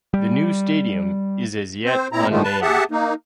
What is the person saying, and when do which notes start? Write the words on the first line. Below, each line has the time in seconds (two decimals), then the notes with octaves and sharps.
The new stadium is as yet unnamed.
0.14 G3
1.85 C4 C5
2.12 A#2 C4 E4 A#5
2.29 A2 D3 D#3 F3 G#3 A3
2.44 B4 A5
2.62 G4 G#4 E5 F#5 A5
2.91 A#3 D#4